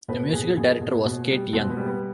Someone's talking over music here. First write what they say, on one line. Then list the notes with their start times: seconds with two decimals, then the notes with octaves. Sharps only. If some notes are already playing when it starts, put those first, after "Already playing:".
The Musical Director was Kate Young.
0.08 B2 B4
0.33 B2 G#4
0.57 B2 G#4
0.81 B2
1.05 B2
1.29 G3
1.53 B2 C4
1.70 B3
1.77 G3 G#3
1.86 B3